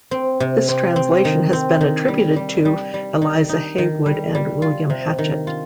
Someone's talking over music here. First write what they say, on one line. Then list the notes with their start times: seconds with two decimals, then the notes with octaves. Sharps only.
This translation has been attributed to Eliza Haywood and William Hatchett.
0.11 C4
0.40 C3
0.69 C4
0.96 C4
1.25 D#3
1.53 C4
1.81 D#3
2.08 G3
2.36 G3
2.65 G3
2.94 G3
3.22 D#3
3.49 D#4
3.78 D#3
4.06 G3
4.35 G3
4.62 F4
4.90 C3
5.18 D#3
5.47 F4